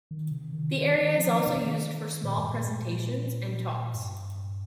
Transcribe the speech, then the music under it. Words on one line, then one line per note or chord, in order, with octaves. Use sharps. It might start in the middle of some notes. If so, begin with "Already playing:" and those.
The area is also used for small presentations and talks.
D#3
C3
D#3
D#3
D#3
F3
D#3
C3
D#3
A#2
G2
A#2
G2